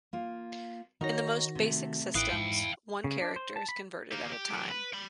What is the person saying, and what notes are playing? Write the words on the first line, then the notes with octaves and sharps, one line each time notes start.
In the most basic systems, one character is converted at a time.
A#3 F4
D#3 D#4 F#4 C#5 A#6
C3 A3
A1 E3 E4 F5 G5 D#6 F#6
G#2
C#3
D4
C5
A5
B5
A#3 G4
G4
F#3 G4
B4
G5 B5